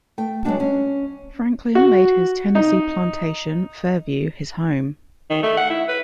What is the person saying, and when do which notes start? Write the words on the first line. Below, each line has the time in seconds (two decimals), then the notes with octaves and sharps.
Franklin made his Tennessee plantation, "Fairvue," his home.
0.18 A3 G5
0.44 F#3 G#3 B3 C4 D4 F#4
0.60 C#4
1.75 F#4
2.55 D#4
5.30 D#3
5.43 A3
5.57 F#5
5.70 E4
5.88 B4